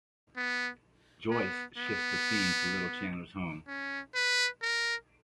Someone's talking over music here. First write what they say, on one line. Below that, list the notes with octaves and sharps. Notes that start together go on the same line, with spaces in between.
Joyce shifts the scene to Little Chandler's home.
B3
B3
B3
C#4
B4
A#4